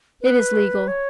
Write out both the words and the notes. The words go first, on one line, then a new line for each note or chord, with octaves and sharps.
It is legal.
B4
C#5